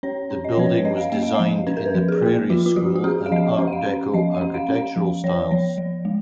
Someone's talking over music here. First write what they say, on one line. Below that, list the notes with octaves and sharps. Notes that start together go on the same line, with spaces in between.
The building was designed in the Prairie School and Art Deco architectural styles.
C#4 C#5
C#4
D#5
C#5
F3 B4
C#5
C#4 D#5
F5
A#3 D#5
F5
F3 D#5
C#4 B4
A#4
B4
F3
G#4
A#3
F3 F4
F4
F3 F#4
F#4
C#4 G#4
F5
F3 D#5
C#4
F#5
F5
C#4
F3 D#5
F#5
C#4
F5
C#4
F5
F3
F3 C#5
F3 C#5
F3
G#3